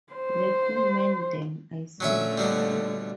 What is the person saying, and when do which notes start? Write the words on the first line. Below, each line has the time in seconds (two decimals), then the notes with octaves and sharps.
'Let me mend them,' I said.
0.13 C5
2.00 A#2 D3 F#3 A3 C#4 E5
2.38 B2 F#3 G3